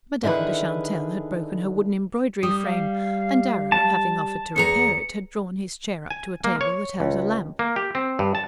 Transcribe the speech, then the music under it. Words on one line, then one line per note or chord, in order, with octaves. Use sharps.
Madame de Chantelle had broken her wooden embroidery frame, and Darrow, having offered to repair it, had drawn his chair up to a table that held a lamp.
D3 D#3 E4 G#4 B4
G3 D#6
F5
A5
E2 G#4 A#5 C#7
G#5
A#3
C#5
C#2
A#3
G4
C4
G2
A5